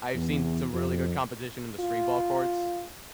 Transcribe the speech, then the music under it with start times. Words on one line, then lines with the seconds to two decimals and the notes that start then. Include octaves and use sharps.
I've seen some really good competition in the street ball courts.
0.14 E2
0.72 F2
1.80 F4